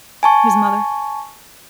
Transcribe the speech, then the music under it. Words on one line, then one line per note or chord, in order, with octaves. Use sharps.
His mother.
G#5 A5 C#6